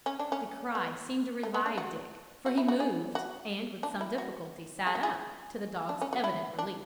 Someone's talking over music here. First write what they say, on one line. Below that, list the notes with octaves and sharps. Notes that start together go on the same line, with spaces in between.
The cry seemed to revive Dick, for he moved, and with some difficulty sat up, to the dog's evident relief.
C#4
D4
C#4
B3
A3
B3
D4
F#4
F#4
E4
F#4
G#4
F#4
D4
E4
F#4
G#4
F#4
G#4
D4
C#4
F#4
E4
D4